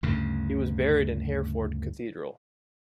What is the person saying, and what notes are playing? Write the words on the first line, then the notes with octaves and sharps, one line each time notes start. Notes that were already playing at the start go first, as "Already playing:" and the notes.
He was buried in Hereford Cathedral.
D2 G2 C#3